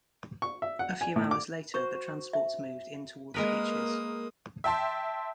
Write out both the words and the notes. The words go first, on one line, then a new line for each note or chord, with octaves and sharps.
A few hours later, the transports moved in toward the beaches.
C#6
E5
F#5
G#5
A2
D6
F#4 C5 C#6
E5
G#3 A#3 A#4 B4 D#6
E5 G5 A5 C6